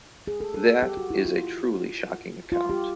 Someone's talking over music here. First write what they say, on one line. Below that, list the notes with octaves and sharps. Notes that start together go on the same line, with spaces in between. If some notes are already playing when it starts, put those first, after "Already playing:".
That is a truly shocking account.
G#4
A4
A4
G4
F#4
E4
F4
F4
G4